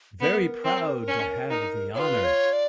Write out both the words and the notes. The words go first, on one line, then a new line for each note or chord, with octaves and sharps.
Very proud to have the honour!
B3 A#4 B4
C4
C#4
D#4
F4 B4 C#5
C#5
D5